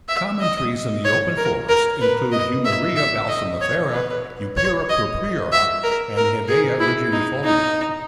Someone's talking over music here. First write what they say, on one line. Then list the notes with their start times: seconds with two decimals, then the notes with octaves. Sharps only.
Common trees in the open forest include "Humiria balsamifera", "Eperua purpurea" and "Hevea rigidifolia".
0.08 E5
0.40 D#5
1.05 C#5
1.37 A#4
1.69 A#4
2.01 B4
2.32 D#5
2.65 E5
2.96 E5
3.28 D#5
3.61 C#5
3.93 B4
4.57 C#5
4.89 D#5
5.52 E5
5.84 A#4
6.17 A#4
6.48 G#4
6.80 E4
7.12 D#4
7.44 D#4